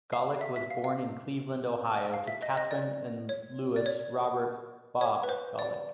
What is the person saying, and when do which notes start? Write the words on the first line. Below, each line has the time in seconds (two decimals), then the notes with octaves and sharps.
Golic was born in Cleveland, Ohio to Catherine and Louis Robert "Bob" Golic.
0.12 F5
0.41 E5
0.56 E5
0.70 F5
0.84 F5
2.14 F5
2.27 E5
2.42 D#5
2.57 D#5
2.71 D5
3.29 C#5
3.76 D5
3.86 C#5
5.01 C#5
5.23 B4
5.29 C5
5.59 D5